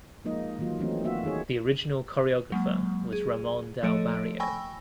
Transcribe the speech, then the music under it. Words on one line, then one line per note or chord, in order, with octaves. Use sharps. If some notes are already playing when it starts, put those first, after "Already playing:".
The original choreographer was Ramon Del Barrio.
F3 G#3 A#3 D#4 D#5
D#3 E3 F#3 A#3 F4
E3 F#3 A3 C4 C#4 D#4
A#3 F4 F#4 E5
D#3 D#4 G#4 C#5
F#3 G#3 A#3
G#4
F3 A3 A4 C#5 D#5 D7
G5 G#5 B5 C#6 E6 A#6